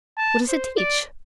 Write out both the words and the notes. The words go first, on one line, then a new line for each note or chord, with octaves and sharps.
What does it teach?
A5
C5
D5